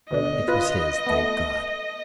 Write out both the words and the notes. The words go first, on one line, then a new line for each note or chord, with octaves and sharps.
It was his, thank God!
D2 B2 D3 D#5
F4 B4
A3 B3